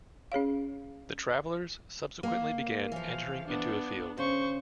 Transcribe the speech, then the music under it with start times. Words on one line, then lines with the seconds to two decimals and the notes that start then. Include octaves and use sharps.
The travellers subsequently began entering into a field.
0.32 C#4 G#4 C#5 F5
2.23 A#3
2.92 E3 F3 F5
3.48 B3 D4
4.18 C#3 C5 C#6